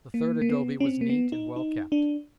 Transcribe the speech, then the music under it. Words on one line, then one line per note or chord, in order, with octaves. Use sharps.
The third adobe was neat and well kept.
A#3
A#3
B3
C#4
C4
A#3
B3
D#4
D#4
D4